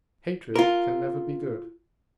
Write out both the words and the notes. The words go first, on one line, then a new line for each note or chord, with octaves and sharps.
Hatred can never be good.
F4 A#4